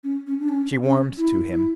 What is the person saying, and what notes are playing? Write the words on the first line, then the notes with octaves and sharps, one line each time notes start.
She warmed to him.
C#4
C#4
D4
C#4
C#4
E4
E4